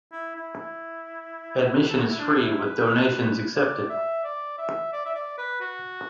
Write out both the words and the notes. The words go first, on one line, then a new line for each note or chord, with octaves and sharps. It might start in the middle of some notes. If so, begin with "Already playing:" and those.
Admission is free, with donations accepted.
E4
E4
E4
B4
A4
F#4
E4
D4
E4
B4
D5
E5
D5
E5
D5
E5
D5
B4
F#4